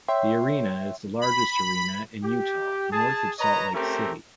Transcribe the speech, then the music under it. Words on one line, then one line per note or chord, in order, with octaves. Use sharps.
The arena is the largest arena in Utah north of Salt Lake City.
C#5 E5 G5 C6
B5
G4
G#4 A5
B4 C#5 D#5 A#5
A3 C4 C#4 G4 A#4